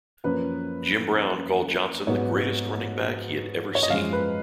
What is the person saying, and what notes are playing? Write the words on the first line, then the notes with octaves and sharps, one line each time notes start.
Jim Brown called Johnson the greatest running back he had ever seen.
F#2 F3 A#3 C#4 B4
G#2 F#3 B3 C#5
C#5
D#5
F#2 F3 G#3 F5
B4